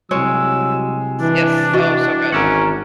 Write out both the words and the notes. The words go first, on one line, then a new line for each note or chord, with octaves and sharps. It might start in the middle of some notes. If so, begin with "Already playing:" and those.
yes. Oh, so good.
C2 F#3 G#3 C#5 E6
E3 D4
E3 F#4 D#5
G#1 C#4 A#4 E5 F#5